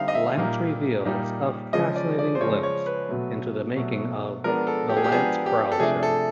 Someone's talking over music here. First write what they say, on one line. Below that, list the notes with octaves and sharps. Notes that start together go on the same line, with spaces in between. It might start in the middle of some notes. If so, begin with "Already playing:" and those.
Lance reveals a fascinating glimpse into the making of The Lance Krall Show.
Already playing: D3 G3 C4 D#4 E5 F5
D#5
E5
A#2 G3 A#3 D#4
A#2 G3 A#3 D#4
C#3 F3 G#3 C#4 D#5
D5
D5
C5
C#3 F3 G#3 C#4 C#5
C#5
B4
B2 F#3 A3
B2 F#3 A3
F3 G#3 B3 D4 A#4
A4
G4
G#4
G4
F3 G#3 B3 D4 G#4
G4
A4
C3 F3 A3 D4 G#4
A4